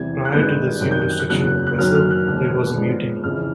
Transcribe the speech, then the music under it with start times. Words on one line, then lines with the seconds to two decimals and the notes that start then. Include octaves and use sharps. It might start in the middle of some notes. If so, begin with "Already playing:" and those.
Prior to the assumed destruction of the vessel, there was a mutiny.
Already playing: E2 C3 E3 G3 G#6
0.25 F#6
0.32 G#1 G2 D#3 G#3 B3 G6
0.81 F#2 D#3 G3 F#6
0.91 G6
1.01 F#6
1.10 G6
1.20 F#6
1.30 F#1 E2 C#3 F#3 F#6
1.67 F#6
1.78 F#2 D#3 F#3 A#3 F6
1.95 F6
2.11 F#6
2.27 E1 D#2 D3
2.75 G#2 F3 G#3 B3 D4
3.24 F2 C#3 E3 F6